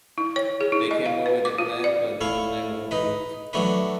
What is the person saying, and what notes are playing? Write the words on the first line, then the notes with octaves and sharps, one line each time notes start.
They came up with a plan but it was never approved.
E4
C#5
G#4
E4
D#5
F5
B4
D6
F4
D5
A3 E4 F5
D#4 B4
F#3 A3 D4 B4